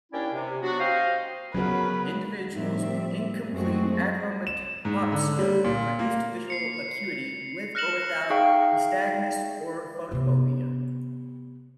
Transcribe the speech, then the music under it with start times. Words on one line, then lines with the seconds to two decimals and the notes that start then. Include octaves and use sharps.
Individuals with incomplete achromatopsia have reduced visual acuity with or without nystagmus or photophobia.
0.12 D#2 C#4 D4 E4 D5 G5
0.33 C3
0.62 F#3 B3 D4 F#4
0.80 G4 C5 D#5 F5
1.55 C#3 F#3 B3 F#4 A#4 B4
2.53 A2 F3 G3 C4 E5
3.51 F#2 G#3 A3 C4 F#4 G#4
4.47 E7
4.85 G#2
5.12 D3
5.39 G3
5.64 A#2
5.99 A#3
6.48 C7 C#7 F7
7.75 F6 F#6 A#6 C#7 E7 F#7
8.30 D#4 G#4 E5 F5 G5 C#6
10.12 C3 B3